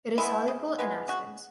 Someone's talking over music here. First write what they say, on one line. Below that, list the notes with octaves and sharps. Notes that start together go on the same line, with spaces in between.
It is soluble in acids.
G#3 B3 E4
C#3
E3 G#3 B3
C#3 F#4